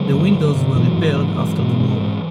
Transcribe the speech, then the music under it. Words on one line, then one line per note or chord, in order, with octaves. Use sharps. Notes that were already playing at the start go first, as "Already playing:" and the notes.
The windows were repaired after the war.
Already playing: D3 F#3 G#3
G2
D3
G2
G#2 E3 F#3
G#2
G#2
G#2
G#2
G#2
G#2